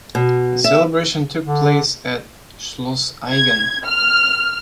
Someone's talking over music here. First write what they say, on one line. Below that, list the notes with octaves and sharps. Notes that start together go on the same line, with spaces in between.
The celebration took place at Schloss Aigen.
B2
E5
D3
G#6
F6